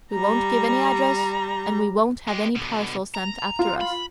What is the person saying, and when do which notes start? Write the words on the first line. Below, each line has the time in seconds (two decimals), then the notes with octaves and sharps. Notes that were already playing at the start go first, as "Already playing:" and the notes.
We won't give any address, and we won't have any parcels sent after us.
0.12 G3 A#5
2.28 G#3 G4
2.56 B2 D3
3.15 A#5
3.59 F4
3.81 B5